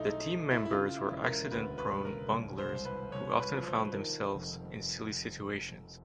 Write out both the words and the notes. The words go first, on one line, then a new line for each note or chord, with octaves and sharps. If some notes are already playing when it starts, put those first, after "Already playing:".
The team members were accident-prone bunglers who often found themselves in silly situations.
Already playing: B1 A3 D#4 E4
D#4
A3
E4
E4
C#3 F4
E4
E1
A#4
D2 B4
B4
E1
A#4
C2
C5
C2
B4
C2 C#5
B4
F3
C5
D#3 A#4
F1